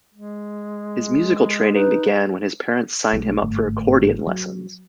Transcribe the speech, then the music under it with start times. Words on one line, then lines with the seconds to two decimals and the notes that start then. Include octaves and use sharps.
His musical training began when his parents signed him up for accordion lessons.
0.14 G#3
1.74 D#4 B4
3.13 B1 G#3 A3
3.42 G1 G#2 A3
4.27 F#3